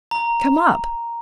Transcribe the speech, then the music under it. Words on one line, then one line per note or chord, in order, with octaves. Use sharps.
Come up.
A#5